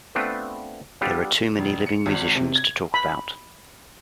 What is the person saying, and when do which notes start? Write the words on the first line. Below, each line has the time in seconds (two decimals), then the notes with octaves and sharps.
There are too many living musicians to talk about.
0.15 A3 B3 C4 D4 F4 B4
1.01 G3 B3 D4 F4 G4 A4
1.58 F1
1.86 C#7
2.06 G#1
2.35 C3
2.56 G#6
2.94 B5